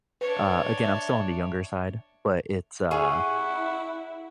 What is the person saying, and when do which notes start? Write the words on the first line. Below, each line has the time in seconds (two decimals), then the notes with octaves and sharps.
uh, again, I'm still on the younger side, but it's, uh,
0.21 D4 B4 C#5
0.84 E5
2.91 E4 G#4 F#5 C#6